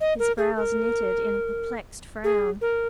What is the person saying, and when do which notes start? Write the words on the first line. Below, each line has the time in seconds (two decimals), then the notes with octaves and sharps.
His brows knitted in a perplexed frown.
0.01 D#5
0.19 A#4
0.38 G#4
0.57 A#4
2.24 G#4
2.61 A#4